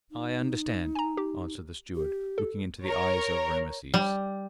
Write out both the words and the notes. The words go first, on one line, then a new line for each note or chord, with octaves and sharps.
"I understand," answered the steward, looking into the eyes of Rameses.
D#4
G#5 A#5
G4
G4
A4
A#4 C#5
G3